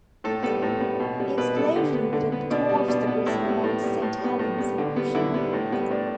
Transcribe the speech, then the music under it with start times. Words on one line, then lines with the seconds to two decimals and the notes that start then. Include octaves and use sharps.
The explosion would have dwarfed the recent Mount Saint Helens eruption.
0.24 A2 A4
0.43 G3 B3 A4
0.62 A2
0.81 G3 B3
1.00 B2
1.19 G3 B3
1.38 B2 B4
1.56 G3 B3 A4
1.76 D3 G4
1.94 B3
2.13 D3
2.32 B3
2.51 B2 D4
2.69 G3 B3
2.88 B2 D4
3.07 G3 B3
3.26 A2 E4
3.45 G3 B3
3.64 A2
3.82 G3 B3
4.02 A2
4.21 G3 B3
4.39 A2
4.58 G3 B3
4.78 D3
4.96 G3 B3
5.15 D3 E4
5.34 G3 B3
5.53 A2
5.72 G3 B3
5.90 A2 D4